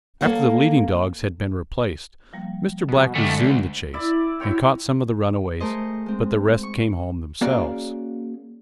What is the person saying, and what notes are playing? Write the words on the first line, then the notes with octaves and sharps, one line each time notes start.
After the leading dogs had been replaced, Mr. Black resumed the chase, and caught some of the runaways, but the rest came home themselves.
A#3 A4 C#5 F#5
F3 G3 A#3
B2
D3 D#3 G#3 A3
D2
E4 D5 E5
E4 F#4 C#5 G5
A3 G#4 A#4 C5 D#5
G#3 C4
C#6
A#3 C#4 F#4 G#4 D5 F5